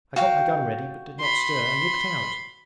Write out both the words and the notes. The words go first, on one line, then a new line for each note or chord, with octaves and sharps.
I got my gun ready but did not stir, and looked out.
F#4 F5 G5
B5 C6